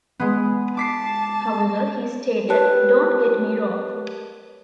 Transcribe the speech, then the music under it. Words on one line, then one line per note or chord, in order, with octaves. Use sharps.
However, he stated, Don't get me wrong.
G#3 B3
A5 D6 B6 C7
G4 A#4 B4 C#5 A5 F#6